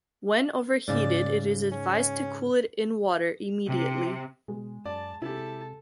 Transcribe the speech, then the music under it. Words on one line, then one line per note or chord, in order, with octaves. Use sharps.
When over-heated it is advised to cool it in water intermediately.
G#2 C#3 D5
C#4
C3
B2 G#3
F#2 D5 A5
C3 E4 G4 A4 A5